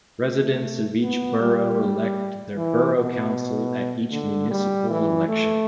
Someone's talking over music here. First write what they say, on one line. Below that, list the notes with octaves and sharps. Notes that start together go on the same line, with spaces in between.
Residents of each borough elect their Borough Council at each municipal election.
A3
B3
G3
E3
B2
D3
G3
E3
A3